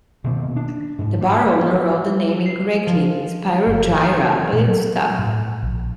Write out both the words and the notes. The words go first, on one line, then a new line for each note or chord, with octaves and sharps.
The bar owner wrote the name incorrectly, "Spyro Gyra", but it stuck.
B2 D#3 A#3
D4
G#2
A#3
C7
F3
G1
E3
A#2
F#3
A2
A#1